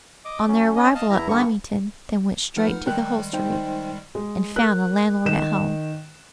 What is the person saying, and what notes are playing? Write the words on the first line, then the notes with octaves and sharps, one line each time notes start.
On their arrival at Lymington, they went straight to the hostelry, and found the landlord at home.
D#5 D6
F#3 C#4
C#4 D#5
D#5 F5 A5
E2 E4 A#5
G2 D3 G3 A#3 B3 C#6
F3 A3 D#4 B4 F#5 F6
D#3 G3 G#3 A#4 G5 F#6
D#4 C5 G5
G#3
A#4 F#6
D#3 E7